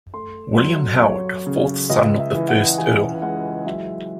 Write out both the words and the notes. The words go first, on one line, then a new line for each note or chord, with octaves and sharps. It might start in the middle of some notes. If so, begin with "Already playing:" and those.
William Howard, fourth son of the first Earl.
A3 C6
F#3 C6
F#3 C#5
C#3
C#2 D#5
E5
E3
F#5
E3 G#5
G#3 F#5
F#3 E5